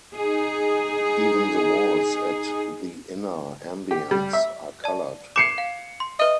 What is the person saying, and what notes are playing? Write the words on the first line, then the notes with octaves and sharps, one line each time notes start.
Even the walls at the inner ambience are coloured.
D#4 G#4
G4
G3
E5
D5 A5
D6 C7 C#7 E7
F5
C6
B4 D#5 E5